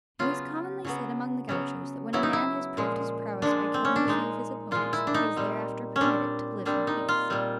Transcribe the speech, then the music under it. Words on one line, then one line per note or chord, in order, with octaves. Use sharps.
It is commonly said among the gauchos that when a man has proved his prowess by killing a few of his opponents, he is thereafter permitted to live in peace.
C#3 F#3 B3 F4
C#3 F#3 B3
C#3 F#3 B3
C#3 F#3 B3 E4
D#4
E4
A#2 F3 G#3
A#2 F3 G#3 D4
C4
C#4
D4
A#2 F3 G#3 D#4
A#2 F3 G#3 F4
E4
D4
D#4
A#2 G3 C4
C#4
A#2 G3 C4 D4
A#2 G3 C4 D4
D#4
F4
A#2 G3 C4